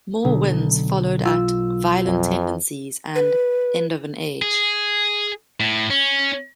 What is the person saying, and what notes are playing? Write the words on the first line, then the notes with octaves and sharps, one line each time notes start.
More wins followed at "Violent Tendencies" and "End of an Age".
B1 D3
F4 E6
F2
B4
G#4
A2
C#4